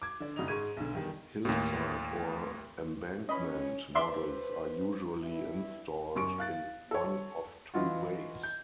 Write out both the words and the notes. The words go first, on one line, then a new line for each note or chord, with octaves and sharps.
Hillside or embankment models are usually installed in one of two ways.
D6 G#6
D3 D5
F#1 D#3 D#4 D#5 F7
G#2 G#3 C#6 G#6 D#7
B1 D3
E2 D#3 G3
D#2 A2
C#4 D#5 B5
B4 C5 D5 E5 C6
G2 E4
F#2 C#6 D7
F5 F#6 A6
A4 C#5
E3 D#4 F4 F#4
G6